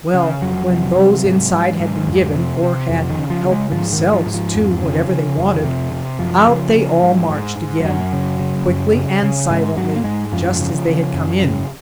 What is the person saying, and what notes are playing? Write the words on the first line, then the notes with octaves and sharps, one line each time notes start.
Well, when those inside had been given, or had helped themselves to, whatever they wanted, out they all marched again, quickly and silently, just as they had come in.
C#3
F2 F#3
C3
C3
G#2
G#2
G#2
F2
C3
C3
F2
D#3
C#3
F3
C#3
G#3
G#2 F3
D#3
G#2
F3
G#2
F3
F2
C#3
C#3
F2
C3
C3
F#2 F3
C#3
C#3
G#2
G#2
G#2
F3
F#2 F#3
C#3
C#3
F#2
C#3
C#3
G#2 G#3
G#2 F#3
A#3
G#2 G#3
F#2 F3
C#3
C#3
F#2
C#3